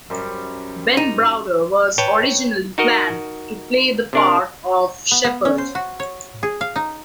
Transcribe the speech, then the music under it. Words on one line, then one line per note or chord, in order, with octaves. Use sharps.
Ben Browder was originally planned to play the part of Sheppard.
F#2 G3 C5
D#4
B4 C#5 G5 A5
D#4 F#4 A#4 D#5
C3 D4 A#4
B3
B3
C#4
C5
F#4
C#5
G#4
F5
D#4